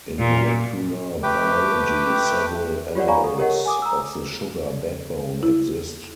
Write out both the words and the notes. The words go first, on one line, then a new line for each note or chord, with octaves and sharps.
In molecular biology, several analogues of the sugar backbone exist.
A#2
A3 G4 B4 G5 D6
F4 G4 C#5 D5 F#5
D5 F5 G#5 A#5 B5 C#6
A4
G4 A#4 C#5 D#5 F#5
G#5 D6 D#6
A#5 E6
E4